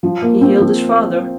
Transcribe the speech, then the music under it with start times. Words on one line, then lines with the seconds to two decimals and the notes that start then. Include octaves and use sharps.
He hailed his father.
0.03 F3
0.22 A#3
0.41 C4
0.60 F3